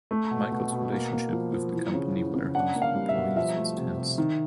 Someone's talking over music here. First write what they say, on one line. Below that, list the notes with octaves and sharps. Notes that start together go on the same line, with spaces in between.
Michael's relationship with the company warehouse employees is tense.
A3
B2
B2
B2
A#3
A#3
F3
F3
E3
C#3
E3
C#3
D4 F#5
A#3
F5
G3
E5
B2
F3 E5
A3
C3
C3
D#3